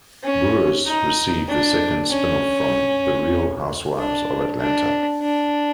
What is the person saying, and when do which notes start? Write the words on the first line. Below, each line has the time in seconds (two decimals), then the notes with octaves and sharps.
Burrus received the second spin-off from "The Real Housewives of Atlanta".
0.24 C#4
0.86 D#4
1.48 D4
2.11 C#4
3.98 D4
4.60 D4
5.22 D4